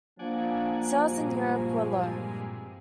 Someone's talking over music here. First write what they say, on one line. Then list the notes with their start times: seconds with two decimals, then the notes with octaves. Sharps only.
Sales in Europe were low.
0.19 F3 A#3 D4 D5 F#5 G#5
1.09 G2 A#2 G#3 F#4
1.91 C4